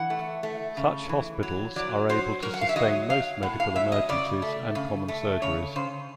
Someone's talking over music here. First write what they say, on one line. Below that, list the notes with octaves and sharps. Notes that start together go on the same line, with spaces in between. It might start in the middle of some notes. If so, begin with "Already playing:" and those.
Such hospitals are able to sustain most medical emergencies and common surgeries.
Already playing: E3 F#5
A3
A3
C#3
E3
F#3
F#3 D5
F#3 C5
F#3 A#4
F#5
F5
E5
F#3 D#5
F#3 F5
A2 F#5
F5
F#3 E5
D#5
C#3 D5
A3
C#3
A3
C#3 C#5
C#3 C5